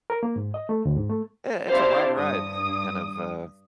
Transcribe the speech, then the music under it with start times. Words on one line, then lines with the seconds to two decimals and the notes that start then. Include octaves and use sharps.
eh it's a wild ride kind of, uh,
0.10 A#4
0.23 A#3
0.36 G#2
0.54 D#5
0.69 A3
0.85 D2
0.97 G#2
1.09 A3
1.70 C4 D4 E4 G4 C5 F5
2.14 G2 D#6